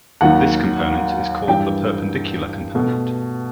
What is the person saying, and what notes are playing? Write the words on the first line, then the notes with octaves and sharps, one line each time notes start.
This component is called the perpendicular component.
D#2 D#3 F#3 F#5
G2 E3 G3 G5
B2 A3